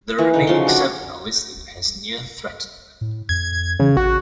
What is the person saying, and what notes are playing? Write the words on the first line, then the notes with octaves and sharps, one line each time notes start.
The remaining seven are listed as Near Threatened.
E3
D3 D#4
C#3 F3 F#3 C6
D4 F#4 D5
A2
F2 G#6
C#3 E3
A1 F#4